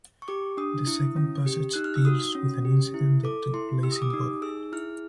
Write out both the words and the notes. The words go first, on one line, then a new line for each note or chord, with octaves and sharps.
The second passage deals with an incident that took place in Bodmin.
C#6
G4 D6
D4 D#6
E4
C#4
G4
D#4 F#6
F6
E6
F#4 D#6
C#4
G4
E4
A4 D6
E4 C6
G4 E6
D#6
D6
D#4 D#6
G#4 E6
E4 F6